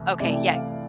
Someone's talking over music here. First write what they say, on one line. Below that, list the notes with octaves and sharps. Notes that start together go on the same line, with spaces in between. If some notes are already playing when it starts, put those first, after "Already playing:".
Okay, yay.
Already playing: C2 C3 E3 A3
C2 C3 E3 A3 D5
F5